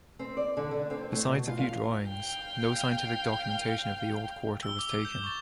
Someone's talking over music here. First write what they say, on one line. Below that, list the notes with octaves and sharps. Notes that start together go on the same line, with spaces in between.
Besides a few drawings, no scientific documentation of the old quarter was taken.
C4
D5
D3
D3
C4
A2
B2
F4
F5
F5 G5
E6 G7
D6 E6 G7
G6 E7
C#6 A6